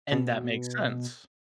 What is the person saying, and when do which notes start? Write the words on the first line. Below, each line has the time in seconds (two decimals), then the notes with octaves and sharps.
and that makes sense.
0.12 B2